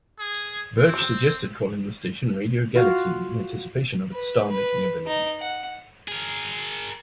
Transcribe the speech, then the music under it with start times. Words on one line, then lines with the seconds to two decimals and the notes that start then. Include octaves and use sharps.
Birch suggested calling the station Radio Galaxy, in anticipation of its star-making ability.
0.19 G#4
0.77 C4
2.75 F4 F#4 F5
4.12 B4
4.51 B4
5.06 D#4
5.40 F#5
6.08 G#4 A#4